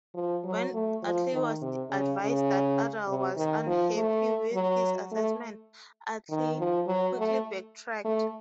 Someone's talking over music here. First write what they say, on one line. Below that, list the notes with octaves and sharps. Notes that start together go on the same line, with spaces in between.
When Utley was advised that Udall was unhappy with his assessment, Utley quickly backtracked.
F3
F#3
A3
F3
D#3
C3
C#3
C#3
C3
D#3
F3
A3
F#3
A3
D#3
F3
F#3
A3
A3